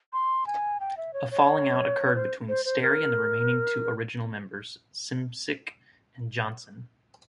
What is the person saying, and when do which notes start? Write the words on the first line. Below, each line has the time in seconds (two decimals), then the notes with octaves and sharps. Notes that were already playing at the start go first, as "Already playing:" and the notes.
A falling-out occurred between Sterry and the remaining two original members Simcic and Johnson.
0.13 C6
0.47 G#5
0.80 G5
0.97 E5
1.14 C#5
1.31 C#5
2.15 C5
2.49 C5
2.65 C5
2.82 A#4